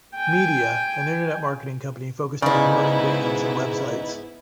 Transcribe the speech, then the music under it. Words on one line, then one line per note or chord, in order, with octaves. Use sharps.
Media, an Internet marketing company focused on promoting bands and Web sites.
G5 G#5
G#2 C#3 G#3 B3 D#4 E4 D5